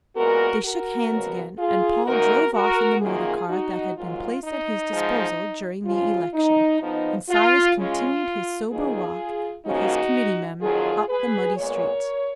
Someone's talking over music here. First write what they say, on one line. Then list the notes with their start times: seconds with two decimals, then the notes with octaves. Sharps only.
They shook hands again, and Paul drove off in the motor car that had been placed at his disposal during the election, and Silas continued his sober walk with his committee-men up the muddy street.
0.15 A#2 G#3 B3 F#4 A#4
0.63 F#4 A#4
1.10 F2 C#3 F#3 B3
1.57 F4 G#4
2.05 F#2 D#3 A#3 D#4 F#4 A#4
2.53 F#4 A#4
3.00 F#2 D#3 A#3 F4 G#4
3.48 D#4 F#4
3.95 G#2 F#3 A#3 F4
4.43 D#4
4.90 G#2 F3 G#3
5.85 C#3 F3 G#3 F4
6.33 D#4
6.81 F2 F3 B3 D#4
7.29 F4
7.76 C#3 G#3 C#4 F4
8.71 D#2 D#3 F#3 B3 D#4 F4 G#4
9.65 C#3 F3 A#3 C#4 D#4 F#4
10.61 F2 D#3 F#3 F4 G#4
11.09 G#4 B4
11.56 A#2 G#3 B3 A#4 C#5